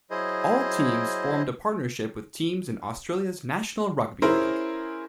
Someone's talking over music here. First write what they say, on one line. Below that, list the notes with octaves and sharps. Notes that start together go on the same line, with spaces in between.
All teams formed a partnership with teams in Australia's National Rugby League.
F#3 E4 G#4 C5 D#5
C#4 E4 G#4 A#4 C5